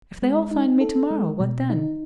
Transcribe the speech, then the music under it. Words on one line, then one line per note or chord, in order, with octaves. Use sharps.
If they all find me to-morrow, what then?
G#3
D#4
A4
G#3
B2
D#4